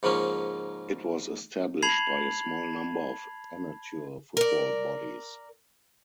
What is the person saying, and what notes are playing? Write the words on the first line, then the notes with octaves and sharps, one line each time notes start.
It was established by a small number of amateur football bodies.
G#2 C#3 F3 A#3 C#4
A5 B5 G#6 C7 F7 F#7
A#4 D5